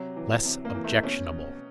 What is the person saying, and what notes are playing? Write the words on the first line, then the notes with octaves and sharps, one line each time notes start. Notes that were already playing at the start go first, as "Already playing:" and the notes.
Less objectionable.
Already playing: C3 F#3
E3
C3
A#3
E3
A3
B2 C#4